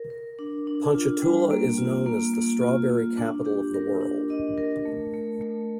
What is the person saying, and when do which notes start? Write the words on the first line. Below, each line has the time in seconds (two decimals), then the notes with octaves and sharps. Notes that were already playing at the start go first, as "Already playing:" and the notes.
Ponchatoula is known as the "Strawberry Capital of the World".
Already playing: A#4
0.10 A#4
0.39 D4
0.67 D4
0.94 F4
1.22 G3
1.51 A#3
1.78 F4
2.06 A#3
2.34 A#3
2.61 F4
2.90 F4
3.17 D4
3.46 G4
3.74 A#4
4.01 D4
4.30 D#5
4.58 A#4
4.85 A3
5.14 A3
5.41 A3